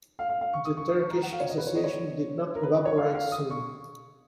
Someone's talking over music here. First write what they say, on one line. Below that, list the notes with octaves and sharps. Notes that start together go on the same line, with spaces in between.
The Turkish association did not evaporate soon.
F5
F5
F5
C#6
D#6
C#6
D#6
C#6
A#5
F#5
F5
C#5
D#5
B4
C#5
D#5
C#5
A#4
B4
B4
C#5
F5
F5
D#6
C#6